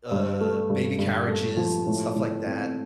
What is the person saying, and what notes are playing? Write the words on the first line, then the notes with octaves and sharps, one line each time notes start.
uh, baby carriages and stuff like that
G2
A3
G2
G2
A3
F3
A2
A2
C4